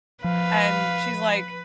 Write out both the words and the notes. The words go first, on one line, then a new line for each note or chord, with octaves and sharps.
and she's like,
F3 B4 F5